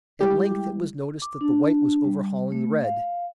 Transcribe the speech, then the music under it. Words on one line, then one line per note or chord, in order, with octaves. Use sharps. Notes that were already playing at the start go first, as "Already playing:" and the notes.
At length it was noticed that the white was overhauling the red.
G3 G#3 E4 G4
D6
D4
G3
A3
F5